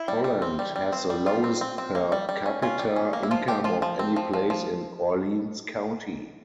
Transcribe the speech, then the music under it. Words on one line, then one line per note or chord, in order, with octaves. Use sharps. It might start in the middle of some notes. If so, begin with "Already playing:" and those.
Holland has the lowest per capita income of any place in Orleans County.
Already playing: E4
G3
G3
C4
G3
G3
C4
G3
G3 F4
C4
C4
C4
A#3
G3
G3
C#4
C#4 F4
G3
C#4
A#3
E4
F3 F4
F3 G4
F3 F4
F3
C4
F3
F3
F3